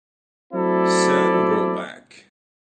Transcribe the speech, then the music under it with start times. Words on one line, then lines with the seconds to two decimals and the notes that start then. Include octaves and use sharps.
Sam Brownback.
0.53 F#3 A3 C4 E4 A4 D5